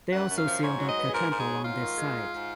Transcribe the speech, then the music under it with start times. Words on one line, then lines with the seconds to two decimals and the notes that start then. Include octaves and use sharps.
They also sealed up the temple on this site.
0.11 F#2 F#5
0.28 F#2
0.36 F5
0.44 F3
0.61 G#2 C#5
0.78 F#3
0.87 D#5
0.95 B3
1.08 G#4
1.11 G#2 A#4
1.29 G#2
1.38 G#4
1.46 F#3
1.63 G#2 F4
1.80 D#3
1.96 G#3
2.14 G#2
2.30 G#2